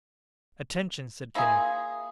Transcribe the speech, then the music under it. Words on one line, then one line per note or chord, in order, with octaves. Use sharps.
"Attention!" said Kennedy.
A#3 E4 F4 G#4